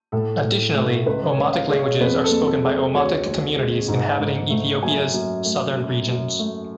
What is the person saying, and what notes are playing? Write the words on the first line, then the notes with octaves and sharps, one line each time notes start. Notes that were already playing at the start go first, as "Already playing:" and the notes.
Additionally, Omotic languages are spoken by Omotic communities inhabiting Ethiopia's southern regions.
A2 A4
A2
A3
C#2 B4
C#5
C#2
F5
G#3
C#5
F2 B4
A4
F2
A4
G#3
D2 C#5
D2
G#3
G#2
G#2
A3
F#2 G#5
F#2
A3
F#2
F#2
A3